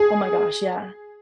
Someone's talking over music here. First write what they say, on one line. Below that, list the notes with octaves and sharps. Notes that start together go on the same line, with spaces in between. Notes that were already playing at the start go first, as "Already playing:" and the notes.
Oh my gosh. Yeah.
Already playing: G#4